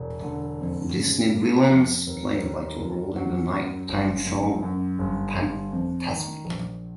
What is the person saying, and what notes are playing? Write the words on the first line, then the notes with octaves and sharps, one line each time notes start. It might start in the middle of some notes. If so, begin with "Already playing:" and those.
Disney villains play a vital role in the night time show Fantasmic!
Already playing: E1
D3
F2
C#3
A#3
F2
D#2
D#2
D#2
F#3
F#2
G1
F#2
F#2
G1
G1
F2
D#3
A#1